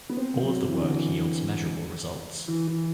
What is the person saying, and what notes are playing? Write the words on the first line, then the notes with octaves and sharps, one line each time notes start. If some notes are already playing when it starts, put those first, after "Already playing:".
All of the work yields measurable results.
B3
C4
F#3
E3
D3
E3
E3
E3